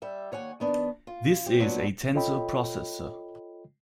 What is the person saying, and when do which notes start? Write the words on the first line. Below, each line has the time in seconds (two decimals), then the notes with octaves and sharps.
This is a tensor processor.
0.02 G3 E5
0.32 D#2 C#5 F#5 G#5
0.60 D#3 B3 D4
1.07 F4
1.46 G4 C5
1.60 A#2 F#3 G#3 B3 C#4 D4
2.15 F4 A4 C#5 D#5 G5 B5